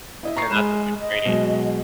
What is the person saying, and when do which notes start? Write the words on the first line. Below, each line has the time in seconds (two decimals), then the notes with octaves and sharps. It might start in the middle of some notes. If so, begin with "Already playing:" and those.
and that's what you're training.
0.23 E4 D#5 E5
0.37 A#5 C#6 C7
0.51 G#3 B5
1.01 D#5
1.25 B2 F#3 G#3